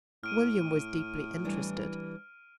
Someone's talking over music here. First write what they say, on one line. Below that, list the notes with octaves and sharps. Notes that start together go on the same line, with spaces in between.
William was deeply interested.
A2 F6 D7 D#7
E3 G3 D4